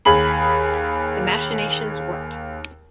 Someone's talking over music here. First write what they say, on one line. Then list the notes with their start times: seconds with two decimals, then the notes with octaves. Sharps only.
The machinations worked.
0.05 D#2 G#4 B5 F#7